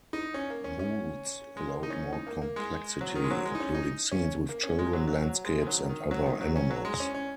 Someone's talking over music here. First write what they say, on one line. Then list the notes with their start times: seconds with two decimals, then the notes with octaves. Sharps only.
Moulds allowed more complexity, including scenes with children, landscapes and other animals.
0.13 D#4
0.34 C#4
0.50 A#3
0.64 C#4
0.79 C#4
1.57 G#3
1.68 A#3
1.83 D#4
1.90 C#4
2.13 D#4
2.27 A#3
2.42 A#3
2.56 G#3
3.01 F#3
3.16 D#3
3.24 G#3
3.31 F#3
3.45 G#3
3.55 D#4
3.60 C#4
3.75 D#4
4.11 C#4
4.49 A#3
4.63 C#4
4.79 G#3
4.93 F#3
5.07 F#3
5.22 F#3
5.45 G#3
5.62 D#3
5.67 F#3
5.89 D#3
6.11 F#3
6.26 D#3
6.41 F#3
6.56 C#4
6.71 F#3
6.85 G#3
7.00 C#4
7.14 C#4